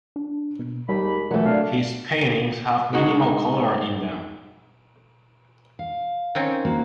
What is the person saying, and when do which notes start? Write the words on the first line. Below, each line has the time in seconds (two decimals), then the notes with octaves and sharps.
His paintings have minimal color in them.
0.16 D4
0.59 B2
0.89 D#2 G3 B5
1.05 G#3
1.31 A#2 E3 F#3 A3
1.45 C3 D4 F5
2.93 G#3 D#4 F#4
5.79 F5
6.35 D#3 C4 C#4
6.65 A#3 F#4